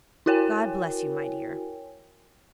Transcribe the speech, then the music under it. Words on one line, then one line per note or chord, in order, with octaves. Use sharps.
God bless you, my dear!
E4 F#4 A#4 C#5 G5 G#5